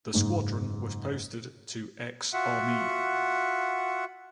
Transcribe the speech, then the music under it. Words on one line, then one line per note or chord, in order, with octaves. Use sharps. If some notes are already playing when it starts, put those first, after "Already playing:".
The squadron was posted to "X Armee".
F#1 G#2 D#4
F4 F#4 E5 F#5